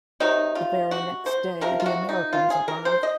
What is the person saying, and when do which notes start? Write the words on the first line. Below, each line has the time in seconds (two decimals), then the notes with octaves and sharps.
The very next day the Americans arrived.
0.20 C3 D#3 F#3 D#4
0.55 F4
0.91 F#4
1.26 C5
1.61 C3 F3 A#4
1.80 F4
1.86 F#4
2.09 D#4
2.33 F4
2.50 G#4
2.68 A#4
2.85 C5
3.03 D#5